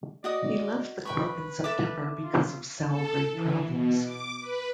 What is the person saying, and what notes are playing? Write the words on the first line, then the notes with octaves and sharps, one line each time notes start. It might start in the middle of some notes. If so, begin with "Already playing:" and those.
He left the club in September because of salary problems.
F#4 D5 D#5 D#6
B4 G5 B5 C#6
A4 E5 D6
F4
A4
E3
B2
D6
B4